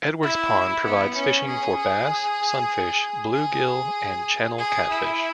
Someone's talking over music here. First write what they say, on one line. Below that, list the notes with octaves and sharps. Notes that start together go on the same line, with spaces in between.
Edwards Pond provides fishing for bass, sunfish, bluegill and channel catfish.
E4
B3
C#4
G#4
G#4
G#4
G#4
E4